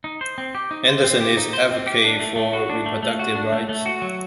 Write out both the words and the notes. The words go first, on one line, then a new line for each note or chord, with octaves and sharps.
Anderson is an advocate for reproductive rights.
D#4
C5
C4
G4
D#4
C5
C4
G4
D#4
C5
C4
G4
D4
A3
A3
F#4
D4
A3
A3
F#4
D4
A3
A3
F#4
F#3